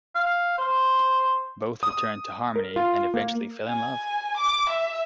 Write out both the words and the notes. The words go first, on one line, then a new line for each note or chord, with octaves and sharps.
Both returned to Harmony and eventually fell in love.
F5
C5
D#6
A#4
F4
A#3
G#5
D6
E5